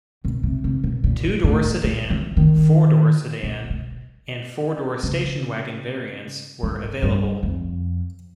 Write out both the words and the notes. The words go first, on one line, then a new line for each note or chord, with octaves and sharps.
Two-door sedan, four-door sedan, and four-door station wagon variants were available.
B2
C3
C3
B2
A#2
A2
A#2
E3
D#3
A#2
B2
C#3
G#2
G2
F2